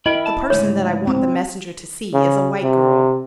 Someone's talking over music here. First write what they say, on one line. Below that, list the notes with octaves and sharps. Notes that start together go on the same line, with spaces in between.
The person that I want the messenger to see is a white girl.
E4 A#4 D#5 G5 B5
A5
D2 G#2 C#3 C#5
C4
C#3
C3